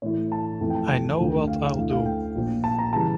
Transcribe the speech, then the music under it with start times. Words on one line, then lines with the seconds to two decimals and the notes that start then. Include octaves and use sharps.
I know what I'll do.
0.02 A2 E3 A3 E4 C#5
0.32 A5
0.61 F2 E3 A3 E4
0.70 G5
0.75 A5
0.90 G5
1.19 D2 D3 A3 D4 F4
1.47 F5
1.63 F5
1.77 D2 D3 A3 E4 F5
1.91 F5
2.06 G5
2.36 A#1 A#2 F3
2.64 A5
2.79 A#5
2.93 C#3 E3 G3 A5